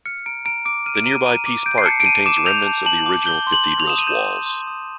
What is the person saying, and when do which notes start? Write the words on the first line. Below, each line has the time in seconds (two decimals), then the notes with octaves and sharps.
The nearby Peace Park contains remnants of the original cathedral's walls.
0.06 F6 C#7
0.26 A#5 D7
0.45 A#5 D7
0.65 D6 D7
0.86 F6 D#7
0.95 D7
1.04 A#5 D#7
1.26 A#5 D#7
1.46 D6
1.66 G6 D7
1.78 C7
1.86 A5 C#7
2.00 D7
2.05 A5 D#7
2.26 D6 E7
2.46 G6 F7
2.66 A5
2.86 A5 F#7
3.06 D6
3.26 G6 G7
3.47 C6
3.53 F#7
3.66 C6
3.80 F7
3.87 D#6 E7
3.98 D#7
4.07 G6 E7
4.26 C6
4.46 C6
4.67 D#6